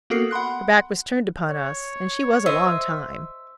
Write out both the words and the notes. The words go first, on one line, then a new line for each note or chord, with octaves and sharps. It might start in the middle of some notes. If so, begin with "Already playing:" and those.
Her back was turned upon us, and she was a long time.
A#3 B3 F#4 A4 A#4 C7
F#5 B5 C6 F#6
C#5
C5 D#5 E5 C6